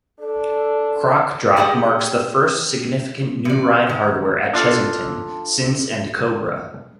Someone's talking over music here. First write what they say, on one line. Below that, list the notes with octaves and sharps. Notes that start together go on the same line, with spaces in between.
Croc Drop marks the first significant new ride hardware at Chessington since and Kobra.
D4 A4
G4 G#4 D5 D#5 F#5 G5
E3 D5
D#3
D4 F4 A4